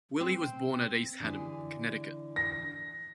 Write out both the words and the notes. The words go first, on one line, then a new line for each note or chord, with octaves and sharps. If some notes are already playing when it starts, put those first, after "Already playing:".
Willey was born at East Haddam, Connecticut.
C4
D3 E3 G#4
A#6